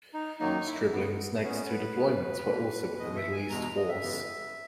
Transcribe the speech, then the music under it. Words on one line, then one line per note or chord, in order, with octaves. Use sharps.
"Stribling"'s next two deployments were also with the Middle East Force.
D#4
F#2 D#3 F#3 A#3 D#4
E4
C#3 G#3 B3
A#2 G#3 B3 C#4
B4
B2 G#3 B3
B2 A#3
E2 B2 G#3 D#5
E5
G#5
E2 B2 G#3 A#5
A#5
D#5
E5
C#3 E3 G#3 B3